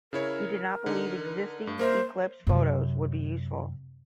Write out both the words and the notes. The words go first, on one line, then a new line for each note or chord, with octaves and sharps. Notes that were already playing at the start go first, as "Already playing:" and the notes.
He did not believe existing eclipse photos would be useful.
C#3 E4 A#4 C#5
D3 D#4
G2
A#3 A#4 C5 E5
F#2 C3